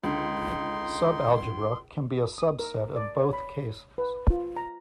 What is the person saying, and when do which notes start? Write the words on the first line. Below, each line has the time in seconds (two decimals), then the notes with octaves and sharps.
Subalgebra can be a subset of both cases.
0.04 C#2 D3 D#4 C6
2.38 D#6
2.59 A#4
2.96 D5
3.18 C#5
3.33 B5
3.98 B4
4.30 F4
4.57 A#5